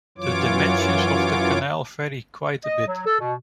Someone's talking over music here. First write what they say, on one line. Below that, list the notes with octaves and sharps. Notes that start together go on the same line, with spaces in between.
The dimensions of the canal vary quite a bit.
F#2 E3 F#3 F4 C#5 D6
D#5
F#3
A4
B2